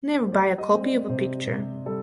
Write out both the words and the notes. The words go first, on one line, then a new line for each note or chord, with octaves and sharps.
Never buy a copy of a picture.
C5
G3 D5
D#5
C4
D5
C3 C5
C3
G3 A4